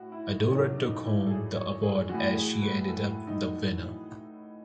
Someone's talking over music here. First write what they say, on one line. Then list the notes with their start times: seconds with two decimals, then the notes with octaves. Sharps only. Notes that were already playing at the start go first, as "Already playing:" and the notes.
Adora took home the award as she ended up the winner.
Already playing: A2 F#4
0.12 E4
0.31 D#4
0.45 D#4
0.51 E2 B2 F#3 C#4
0.78 D#4
1.04 E4
1.26 A4
1.30 G#4
1.56 C#5
1.83 G#4
2.09 A2 E3 F#4
2.36 G#4
2.62 B4
2.88 A4
3.27 D#4